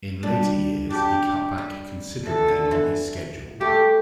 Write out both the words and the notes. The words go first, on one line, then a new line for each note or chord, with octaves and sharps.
In later years, he cut back considerably on his schedule.
G3 D4
D4 G4
G3
E3 A4
D3
E3
A3 G4